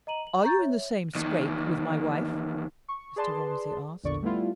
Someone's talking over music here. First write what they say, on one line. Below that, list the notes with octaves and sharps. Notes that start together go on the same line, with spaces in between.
"Are you in the same scrape with my wife?" Mr. Romsey asked.
D#5 A#5 D#7 F#7
F#7
A#5 C#6 G6 A6
C#5 E5
E2 D#3
C#6
G#4 B4 D5 A5 C6
A#1 E2 A#2 D3 D5 C#6
G3 A3 B3 E4 F4